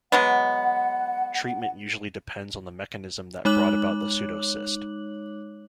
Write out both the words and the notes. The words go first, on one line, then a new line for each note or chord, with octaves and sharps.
Treatment usually depends on the mechanism that brought about the pseudocyst.
F#3 G#3 B3 F#5
G#3 D#4 C#5 D6 F#6 F#7